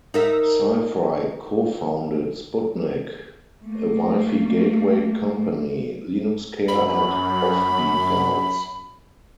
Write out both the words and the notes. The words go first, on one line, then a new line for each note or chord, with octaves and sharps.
Sifry cofounded Sputnik, a Wi-Fi gateway company, Linuxcare, and Offbeat Guides.
D#4 A#4 E5
A3 A#3
F#2 B5